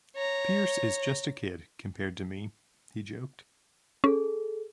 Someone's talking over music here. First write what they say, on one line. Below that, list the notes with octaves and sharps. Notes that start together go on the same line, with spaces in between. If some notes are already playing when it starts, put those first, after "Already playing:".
"Pierce is just a kid compared to me", he joked.
C#5 A#5
C#4 G#4 A4